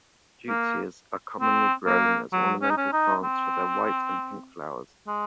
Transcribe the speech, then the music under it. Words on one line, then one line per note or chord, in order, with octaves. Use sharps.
Deutzias are commonly grown as ornamental plants for their white and pink flowers.
A#3
C4
A#3
F#3
C#4
D#4
C#4
D#4
C4
G#3